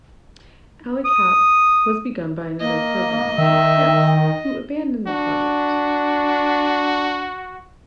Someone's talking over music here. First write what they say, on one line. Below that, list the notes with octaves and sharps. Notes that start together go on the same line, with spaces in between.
"Alley Cat" was begun by another programmer, John Harris, who abandoned the project.
D#6
A#3 D#5
D#3 E5 G5
D4 F#4